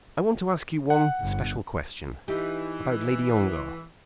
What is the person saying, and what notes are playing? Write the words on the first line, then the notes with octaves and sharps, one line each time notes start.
"I want to ask you one special question--about Lady Ongar."
F#5
G1
E3 D#4 G4